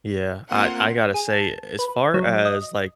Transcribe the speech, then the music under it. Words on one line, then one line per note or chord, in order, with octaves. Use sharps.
Yeah, I I gotta say, as far as, like,
A#3 C4 F4 F#5
G#4
A5
B4
F#3
D#5